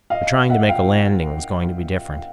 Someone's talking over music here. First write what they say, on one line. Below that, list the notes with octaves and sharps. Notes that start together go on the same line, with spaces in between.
But trying to make a landing was going to be different.
D#5 F5
E5 F#5
F5 G5